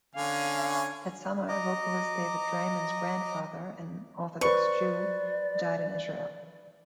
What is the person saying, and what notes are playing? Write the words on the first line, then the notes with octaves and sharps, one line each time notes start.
That summer, vocalist David Draiman's grandfather, an Orthodox Jew, died in Israel.
D3 C#4 F5 G#5
D#5 A#5 D6
B4 C5 D5 C#6